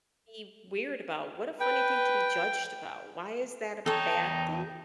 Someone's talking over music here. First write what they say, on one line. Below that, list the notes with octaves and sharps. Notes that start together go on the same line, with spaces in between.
be weird about, what a funny thing to be judged about, why is that a bad thing?
B4 G5
E2 D#4 A4 C#5 G5 A5